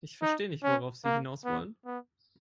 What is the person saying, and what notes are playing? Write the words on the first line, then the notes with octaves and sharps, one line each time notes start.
Ich verstehe nicht, worauf Sie hinaus wollen.
D#4
C#4
A#3
B3
B3